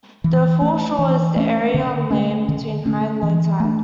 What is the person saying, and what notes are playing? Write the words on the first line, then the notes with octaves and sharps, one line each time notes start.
The foreshore is the area on land between high and low tide.
E3
A3 C#4
E3
A3 C#4
D3
A3 C#4
D3
A3 C#4
E3
A3 D4